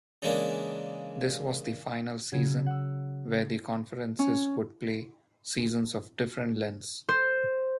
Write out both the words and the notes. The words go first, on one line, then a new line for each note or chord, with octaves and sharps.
This was the final season where the conferences would play seasons of different lengths.
C#3 E3 G#3 A#3 D4
C#3 F#3 G#6
F#5 E6
C#4
C5